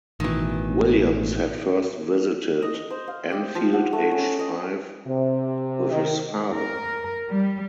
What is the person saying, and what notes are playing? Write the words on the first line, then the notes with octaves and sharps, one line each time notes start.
Williams had first visited Anfield aged five with his father.
A1 B2 D#3 E3
D#5
D#5
C5
F5
G4
F3
F#5
A3
C#4
D#5
C3
D#3
A#4
G3